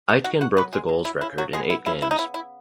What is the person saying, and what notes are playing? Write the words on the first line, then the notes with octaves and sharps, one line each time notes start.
Aitken broke the goals record in eight games.
F#4 F#5
D#4 F#4 F#5
F#4 F#5
F#3 B3 B4
G#3 G#4
F#3
E4
C#3 E4
F#3 F#4
G#3 B3 G#4
E4
C#3 E4
E4
D#4
B3 E4
E4